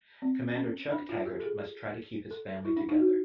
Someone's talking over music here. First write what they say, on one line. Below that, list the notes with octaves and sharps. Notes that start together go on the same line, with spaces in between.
Commander Chuck Taggart must try to keep his family together.
C4
C#4
D4
F4
G4
A4
G#4
A4
E4
D4
D#4
F#4